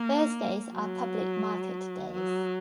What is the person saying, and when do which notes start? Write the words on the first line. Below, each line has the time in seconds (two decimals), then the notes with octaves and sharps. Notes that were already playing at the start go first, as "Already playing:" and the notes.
Thursdays are public market days.
Already playing: A#3
0.73 F#3
2.13 F#3